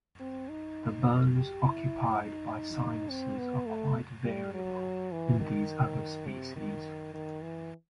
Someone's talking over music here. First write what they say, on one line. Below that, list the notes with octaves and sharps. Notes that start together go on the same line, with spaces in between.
The bones occupied by sinuses are quite variable in these other species.
C4
D#4
G4
E4
D#4
C4
B3
A3
G3
F#3
E3
D#3
C3
D#3
D#3
E3